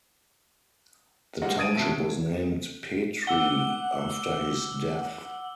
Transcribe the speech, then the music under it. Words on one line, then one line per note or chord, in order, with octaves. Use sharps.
The township was named Petrie after his death.
G3 G#3 A#3 A#4 D#5 F#5
D#6 G#6 A6 D7 D#7
F#2 B2 D#3 E5 A5 D7
A4
F#5 D6 E6 G7